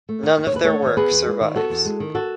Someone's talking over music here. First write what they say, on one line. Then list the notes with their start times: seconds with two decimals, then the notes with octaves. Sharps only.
None of their work survives.
0.09 A3
0.23 D#3
0.38 D#2
0.47 C#5
0.53 D#2 B4
0.65 A3 A4 C#5
0.82 D#3 C#5
0.96 B3 G#4 B4
1.11 E2
1.26 G#3
1.41 D#3
1.55 B3 F#4 A4
1.70 E2
1.85 G#3
2.00 D#3
2.15 F#4 A4